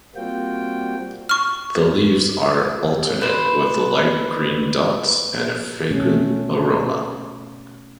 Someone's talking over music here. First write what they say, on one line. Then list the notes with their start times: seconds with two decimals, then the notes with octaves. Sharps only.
The leaves are alternate, with light green dots and a fragrant aroma.
0.16 G3 A#3 C4 F4 F#4 G5
1.29 C#6 F6
3.21 B4 C5
5.91 B2 A3 C#4